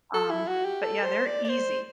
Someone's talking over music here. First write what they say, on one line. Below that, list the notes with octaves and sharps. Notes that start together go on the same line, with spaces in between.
um, but yeah, they're easy,
A4
E4
F#4
G4
A4
C5
D5
D5
C5